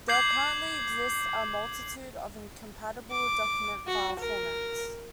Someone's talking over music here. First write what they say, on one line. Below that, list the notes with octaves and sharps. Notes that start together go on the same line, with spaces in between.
There currently exists a multitude of incompatible document file formats.
D6 G6 G#6 C7 F#7
D6
F#4
A#4